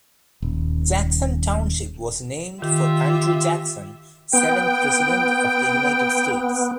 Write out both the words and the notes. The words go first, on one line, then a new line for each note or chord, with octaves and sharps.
Jackson Township was named for Andrew Jackson, seventh President of the United States.
D#1
D#3 F4 G4 E5
B3 G5